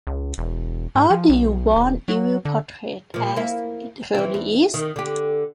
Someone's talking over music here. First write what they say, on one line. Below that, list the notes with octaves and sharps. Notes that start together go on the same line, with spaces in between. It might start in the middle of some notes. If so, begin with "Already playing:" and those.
Or do you want evil portrayed as it really is?
C#2
E1
G#2
F3
B1
D#1
F#3
D3
A#2 F3
A#3 E4
E3 C4
E2
D#3
D3 G4